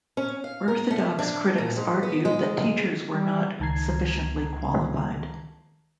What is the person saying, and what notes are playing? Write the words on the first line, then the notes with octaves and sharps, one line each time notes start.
Orthodox critics argued that teachers were not sufficiently qualified.
C#4
F5
A#4
A3
D4
A#2
G#2
B3
G#3
G3
C#2 D#3 A5 A#5 G#6 C7